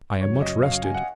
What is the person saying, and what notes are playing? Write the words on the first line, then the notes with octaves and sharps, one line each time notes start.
I am much rested.
F#2 C#3 F#3 C#5
D#5
F5
G#5
F#5